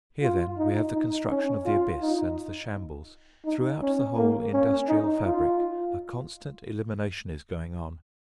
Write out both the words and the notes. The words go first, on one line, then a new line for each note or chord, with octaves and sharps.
Here, then, we have the construction of the Abyss and the shambles. Throughout the whole industrial fabric a constant elimination is going on.
F4
D#4
D#4
C#4
F4
D#4
D#4
C#4
A#3
C#4
D#4
F4